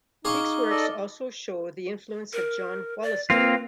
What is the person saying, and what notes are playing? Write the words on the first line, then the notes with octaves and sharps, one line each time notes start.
Feke's works also show the influence of John Wollaston.
D#4 G#4 F5 C#6 D6 F6 G7
A4 D5 D#5
A#4
D5
A#3 C4 F4 B4